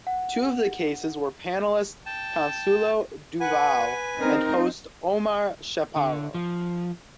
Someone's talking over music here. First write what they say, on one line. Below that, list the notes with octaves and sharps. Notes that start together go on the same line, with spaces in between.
Two of the cases were panelist Consuelo Duval and host Omar Chaparro.
F#5
G5 A5
B4 F#5 G#5
C4 D#4 A#4
D3
F3